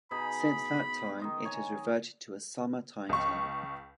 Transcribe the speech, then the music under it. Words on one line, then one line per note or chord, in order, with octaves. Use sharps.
Since that time it has reverted to a summer timetable.
B2 D#4 G#4 B5
D#3 D#5 C6
C#5 D#5 G#5
C#2 C#6